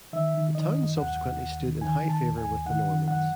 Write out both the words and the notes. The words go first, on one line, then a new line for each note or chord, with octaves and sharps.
The town subsequently stood in high favour with the Normans.
D#3 E5
D#3
D#3 D#5
F#2
D#2 F#5
D#2
D#2
D#3
D#3 G#5
D#3
A5
D#2
G#5
D#2
D#3 F#5
D#3
F#2 F#5